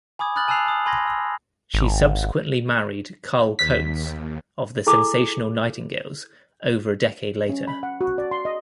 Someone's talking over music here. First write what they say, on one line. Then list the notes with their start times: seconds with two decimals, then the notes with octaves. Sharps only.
She subsequently married Carl Coates of the Sensational Nightingales over a decade later.
0.19 G#5 B5 D6 D#6 G#6
0.36 B5 D#6 F6 F#6 A6 F#7
0.48 G#5 A5 E6 F#6 C7 F7
0.66 A5 D#6
0.86 G#5 B5 C6 G#6 A#6
1.07 E6
1.74 G#1
3.59 D#2 B6
4.87 E4 G#4 A4 G#5 D6
7.49 C#4
7.67 B5
7.83 F#5
8.01 F#4
8.18 D5
8.31 C6
8.45 D#5